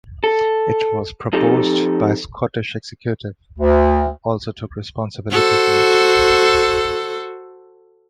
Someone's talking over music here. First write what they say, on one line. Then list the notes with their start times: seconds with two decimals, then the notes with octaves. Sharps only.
It was proposed by the Scottish Executive, who also took responsibility for it.
0.24 A4
1.33 F3 C4 D#4 G4 A4
3.59 D2
5.32 F#4 A4 C5